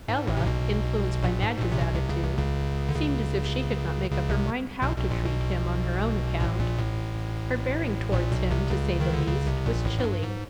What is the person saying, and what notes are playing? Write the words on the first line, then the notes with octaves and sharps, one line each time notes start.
Ella, influenced by Madge's attitude, seemed as if she could not make up her mind how to treat him on her own account; her bearing towards him, to say the least, was chilly.
G#2
A1 A2
C3
B1 B2
A#1 A#2
G#2
B2
A#1 A#2
C3
B1 B2
C2 C3
C#2 C#3
C2 C3
C#2 C#3
D3
C#2 C#3
C#2 C#3
C2 C3
B1 B2
B1 B2
A#1 A#2
B1 B2
A1 A2
A#1 A#2
A1 A2
A#1 A#2
B1 B2
C2 C3
C#2 C#3
D#3
D3
C#2 C#3
C2 C3
A#1 A#2
A1 A2
G#2
G2
G#2